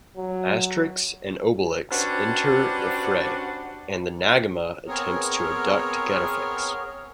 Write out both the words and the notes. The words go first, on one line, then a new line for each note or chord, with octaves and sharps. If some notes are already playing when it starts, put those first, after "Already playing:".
Asterix and Obelix enter the fray, and the Nagma attempts to abduct Getafix.
F#3
C#4 D4 F#4 G4 B4 C5
B3 C4 G#4 A#4 C#5